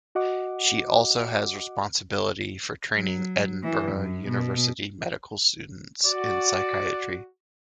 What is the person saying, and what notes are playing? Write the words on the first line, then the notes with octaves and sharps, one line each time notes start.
She also has responsibility for training Edinburgh University medical students in psychiatry.
F#4 D#5 F#5 D6
F#3
E3
F#2
B2
F#4 D5